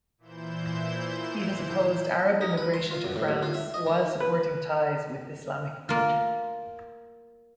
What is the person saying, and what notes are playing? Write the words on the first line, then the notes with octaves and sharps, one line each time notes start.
He has opposed Arab immigration to France, while supporting ties with Islamic culture.
A#2 E3 E4 C5 G6 E7
D#4
B4
C6
F4
F#2
A2
D#2
F4
E5
D#5
D#3
B4
A#3 F4